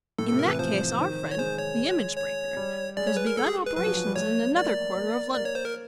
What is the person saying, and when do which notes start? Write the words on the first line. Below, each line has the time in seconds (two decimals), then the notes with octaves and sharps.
In that case our friend the image-breaker has begun operations in another quarter of London.
0.18 A2 A4
0.29 C3 A4
0.39 A#4
0.46 E3 B4
0.59 F3 C5
0.99 D#3
1.31 C#5
1.38 G#3 C5
1.58 C#5
2.17 C#5
2.57 G3
2.97 G#3 D5
3.07 C#5
3.17 B4
3.27 A#4
3.37 A4
3.46 G#4
3.66 B4
3.76 F#3 B4
3.86 F3
3.96 F3
4.06 G3
4.16 A3 C#5
4.56 A#3 D5
4.96 A#3
5.35 A#3 D5
5.45 C#5
5.55 C5
5.65 A#4